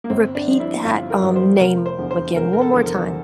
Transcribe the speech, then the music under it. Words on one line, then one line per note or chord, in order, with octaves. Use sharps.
Repeat that, um, name again one more time.
A#3
G1 C4
D4
G2 F3
E4
G1 F4
A#4
G2 F3
C5
F1 A#4
C5
E2 D3 F3
C5
F1 A#4
A#4
A4
E2 D3 F3
A#4